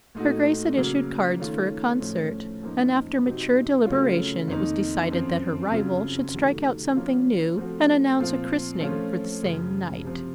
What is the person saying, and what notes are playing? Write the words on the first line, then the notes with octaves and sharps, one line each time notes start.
Her Grace had issued cards for a concert; and after mature deliberation it was decided that her rival should strike out something new, and announce a christening for the same night.
A#2 A3 D#4 F#4
C#3 F#3 A#3
D#3 A3 C#4 F4
A2 F3 A3 C#4
F#2 F3 A#3 D#4
C3 F#3 C4 D#4
C#3 F#3 A3 C#4 F4
F2 D#3 A#3 D#4
F#2 F3 C4
C#3 F#3 C4 F4
C3 D#3 F#3 A3
F3 A#3 C#4 F4
F3 A3 C4 F#4
A#2 F3 C4 F4
F3 A3 C#4 F4
F#2 C#3 F3
C3 F3 C4